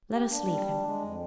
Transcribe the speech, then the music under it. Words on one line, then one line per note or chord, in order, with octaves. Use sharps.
Let us leave him.
G4
D4
G3
D4
G#3
F2